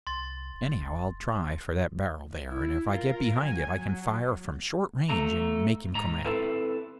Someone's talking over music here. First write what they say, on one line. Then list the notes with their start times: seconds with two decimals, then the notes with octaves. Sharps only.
Anyhow I'll try for that barrel there; and if I get behind it I can fire from short range and make him come out.'
0.07 C2 C6 A6
0.54 F1
2.49 E4
2.89 F4 A#4
3.41 F#3 G#5
3.77 F#3
5.10 A3 A#5
5.95 G#2 A#5
6.26 C4 E4 A4 B4